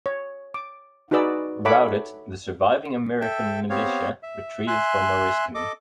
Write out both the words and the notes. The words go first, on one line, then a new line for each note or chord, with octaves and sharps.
Routed, the surviving American militia retreated from Oriskany.
C#5
D6
D#4 F#4 G#4 B4 D5 E6
A4 C#5 E5 F#5 B5 D6
A4 E5 G5
B3 C4 G4 C#5 F5
E5
E5 G#5 C6 F#6
A4 D#5 D6